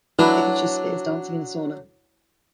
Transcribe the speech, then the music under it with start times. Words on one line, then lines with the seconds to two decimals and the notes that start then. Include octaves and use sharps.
It features Spears dancing in a sauna.
0.19 F#3 D4 E4 B4